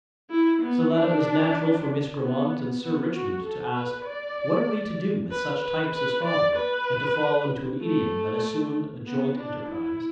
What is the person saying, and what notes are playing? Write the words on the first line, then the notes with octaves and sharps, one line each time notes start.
So that it was natural for Miss Grammont and Sir Richmond to ask: "What are we to do with such types as father?" and to fall into an idiom that assumed a joint enterprise.
E4
B3
D4
B3
B3
F#4
A4
B4
D5
B4
B4
B4
D5
B4
A3
B3
D4
E4